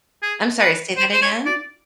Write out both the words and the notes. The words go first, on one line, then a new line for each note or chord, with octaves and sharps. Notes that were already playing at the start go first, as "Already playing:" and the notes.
I'm sorry, say that again?
G#4
B4
C5
C5
C#5
D5